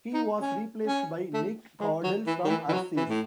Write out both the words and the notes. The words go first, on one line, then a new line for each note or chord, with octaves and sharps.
He was replaced by Nick Cordle from Arsis.
D#4
C#4
C#4
A3
G#3
F#3
E3
D#3
E3
E3
F#3
E3
A2